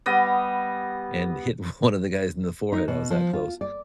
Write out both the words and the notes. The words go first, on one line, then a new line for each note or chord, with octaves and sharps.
and hit one of the guys in the forehead, I was that close.
G3 B3 D#5
D#4
B2
F3
F4
D5